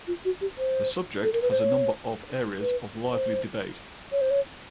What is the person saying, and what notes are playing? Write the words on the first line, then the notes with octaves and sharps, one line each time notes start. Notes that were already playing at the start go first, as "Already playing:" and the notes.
The subject has a number of areas of lively debate.
F4
F#4
G4
C5
A4
A#4
B4
C5
C#5
B4
C5
C#5
C5
C#5